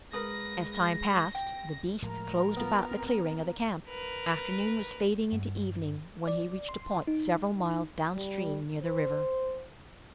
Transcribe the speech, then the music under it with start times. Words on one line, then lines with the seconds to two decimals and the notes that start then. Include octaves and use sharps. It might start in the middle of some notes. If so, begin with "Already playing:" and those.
As time passed the beasts closed about the clearing of the camp. Afternoon was fading into evening when he reached a point several miles downstream near the river.
0.13 G#3 A#4 B4 D#6 A#6
1.35 G5
2.02 A2 F3 G#3 A#4 A#5
2.56 B3 F4
2.91 C4
3.88 A#4 B4
5.32 G2
6.27 D5
6.69 C6
7.07 D#4
8.15 G3
8.83 C5